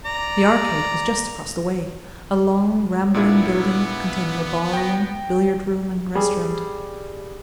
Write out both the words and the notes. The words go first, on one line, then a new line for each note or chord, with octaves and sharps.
The Arcade was just across the way--a long, rambling building containing a barroom, billiard room, and restaurant.
D5 A#5
A#2 B3 D4 E4
G5 A#6
G3 G#4